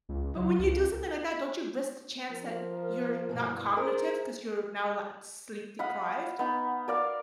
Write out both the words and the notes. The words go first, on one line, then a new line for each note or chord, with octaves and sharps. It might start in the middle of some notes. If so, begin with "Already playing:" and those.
But when you do something like that, don't you risk the chance that you're not cognitive 'cause you're now la sleep deprived?
C#2
F#3
C#2
F3 A#4
G2 B2 E3
G#4 A#4 C5
D#5 F5 F#5 B5
B3 D#4
A#4 D5 F5